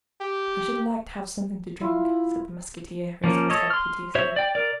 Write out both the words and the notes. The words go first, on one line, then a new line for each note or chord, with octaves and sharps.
"I should like to have something to drink," said the musketeer, raising his head piteously.
G4
E4 F4
F3 A#3 C#4
A4 C#5 D#5
C6 F6
F#4 C5 C#5 E5
D5 G5
A#4 D5